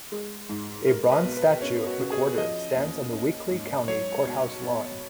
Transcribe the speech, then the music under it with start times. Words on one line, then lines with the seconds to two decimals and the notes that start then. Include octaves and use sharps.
A bronze statue of McWherter stands on the Weakley County Courthouse lawn.
0.12 G#3
0.49 G#2
0.87 G#3 A#4
1.12 B4
1.25 B1
1.37 B4
1.62 C#4 C#5
1.87 F#4
1.99 C#3
2.12 G#4
2.38 F3 D#5
2.75 D#2
3.12 C#4
3.50 G#2
3.88 F#3 C#5
4.25 B1
4.63 B3